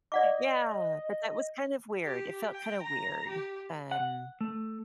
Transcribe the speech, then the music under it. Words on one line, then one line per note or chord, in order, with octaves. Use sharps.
Yeah. But that was kind of weird. It felt kinda weird. Um,
D5 D#5 F#5 D6
G4
G5
A#5
G4
F#5
A3